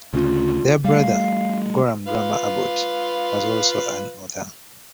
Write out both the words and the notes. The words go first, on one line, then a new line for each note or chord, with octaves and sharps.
Their brother, Gorham Dummer Abbott, was also an author.
D2 C#3 F4
G3 A3 F5
F4 B4 F5